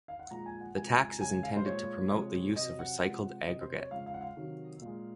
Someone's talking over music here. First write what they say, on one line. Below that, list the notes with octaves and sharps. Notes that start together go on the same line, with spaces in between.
The tax is intended to promote the use of recycled aggregate.
F5
F#5
A#2 F3 G#3 A#5
G#5
F#5
C3 F3 G#3 G#5
A#5
G#5
A#5
C#3 G#3 G#5
F5
C5
A#2 G#3 C#5
C3 F3 G#3
C3 F#3 D#5
F#5
C3 F3 G#3
C3 F#3 D#5
C5
C#5
C#3 F3 G#3 F5
F5
F#5
F5
C3 D#3 F#3
A#2 G#3